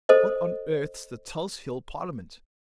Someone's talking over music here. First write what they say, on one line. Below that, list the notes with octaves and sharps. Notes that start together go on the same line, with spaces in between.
'What on earth's the Tulse Hill Parliament?'
A4 C5 D#5